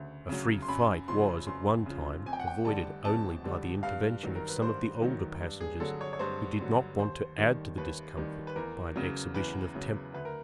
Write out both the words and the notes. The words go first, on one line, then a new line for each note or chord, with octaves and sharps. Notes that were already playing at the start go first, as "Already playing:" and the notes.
A free fight was, at one time, avoided only by the intervention of some of the older passengers who did not want to add to the discomfort by an exhibition of temper.
Already playing: D2 C#3
C#3 F#3
C6
F#2 B5
C#3 F3 C6
F#2 C6
C#3 F3
F2 G#5
G5
F#5
G5
D3 G3 A5
F2 A5
D3 G3
G2 F5
D#3 F#3
A#4
B4
G2 C5
D#3 F#3
G2
G#4
D3 F#3 A4
C#5
C#5
G2 C5
D3 F#3
D#2 C5
D#3 G3
D#2 B4
D#3 G3
B4
E2 A#4
C#3 F#3
E2 B4
C#3 F#3
D2 B4
A#4